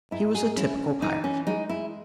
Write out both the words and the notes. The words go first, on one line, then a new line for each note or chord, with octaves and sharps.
He was a typical pirate.
G#2 E4
G#4
C#4 E4
E3 D#4
C#4
G#3 D#4
E4